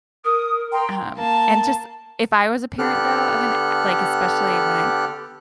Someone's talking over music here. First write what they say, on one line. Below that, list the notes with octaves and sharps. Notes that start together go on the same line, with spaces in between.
Um, and just if I was a parent though, of an like, especially when I
A#4 D#6
G5 A#5 C6
A#3 A5
D3 B3 G4 A4 F6 F#6